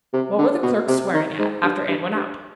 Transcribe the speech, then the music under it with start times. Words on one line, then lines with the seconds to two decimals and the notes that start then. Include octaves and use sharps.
What were the clerks swearing at after Ann went out?
0.13 C3
0.38 D3
0.63 B2
0.87 C3
1.14 D#3
1.38 G#2
1.63 G2
1.88 G2
2.14 G2